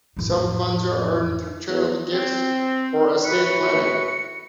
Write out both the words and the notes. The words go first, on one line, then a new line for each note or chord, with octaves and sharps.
Some funds are earned through charitable gifts or estate planning.
A1 F2
E2
C4
A2 F#4 B4 C#7